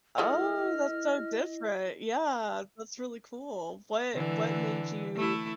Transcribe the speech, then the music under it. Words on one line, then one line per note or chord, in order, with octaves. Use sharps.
Oh, that's so different. Yeah, that's really cool. What What made you
F3 G#3 A3 E4 D#5 F6
D3 E3
A3 E4